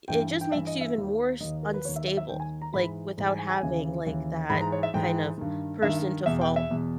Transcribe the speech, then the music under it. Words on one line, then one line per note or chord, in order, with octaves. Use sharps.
it just makes you even more s unstable, like, without having, like, that kind of person to fall
G2 E3 G5
G5
G2 E3 E5
D#5
E5
D#2 D#3
D#2 D#3 D#5
A#4
B4
D#2 D#3 C#5
E5
E5
E5
D#2 D#3 G5
G#5
A#5
G#2 E3 B5
G#2 E3
G#5
G#5
G#5
D#2 C#3 E3
D#2 C#3 E3
G#2 E3 B5
A#5
C#5
E5
G#2 E3 G5
G2 D#3
G2 D#3 E5
E2 B2 E5
G5
E5
E2 B2